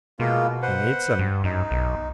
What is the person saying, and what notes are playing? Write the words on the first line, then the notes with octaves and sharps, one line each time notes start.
He needs them.
B2 G#3 A#3 F4
B4 C5 F#5
G2
F#2 D#4
B1